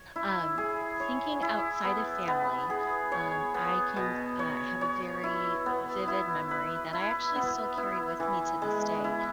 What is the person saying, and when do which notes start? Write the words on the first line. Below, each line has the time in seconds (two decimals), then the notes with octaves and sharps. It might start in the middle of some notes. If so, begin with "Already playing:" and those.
Um, thinking outside of family, um, I can th uh, I have a very vivid memory that I actually still carry with me to this day,
Already playing: C#5
0.16 E4
0.58 G#4
1.00 C#5
1.42 E4
1.85 B3
2.27 B3
2.70 G#4
3.12 C#5
3.54 B3
3.96 B2
4.39 C#5
4.81 C#5
5.24 E4
5.66 B3
6.08 E4
6.51 B4
6.93 E4
7.35 B3
7.78 E4
8.20 E3
8.62 G#3
9.04 E4